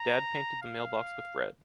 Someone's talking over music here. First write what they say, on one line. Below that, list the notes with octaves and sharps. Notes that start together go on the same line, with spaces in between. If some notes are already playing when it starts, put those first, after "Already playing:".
Dad painted the mailbox with red.
Already playing: A#5
F5